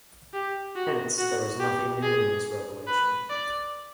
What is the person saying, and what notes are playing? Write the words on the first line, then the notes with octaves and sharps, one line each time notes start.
Hence, there is nothing new in this revelation.
G4
F#4
F#4
G4
G#4
B4
D5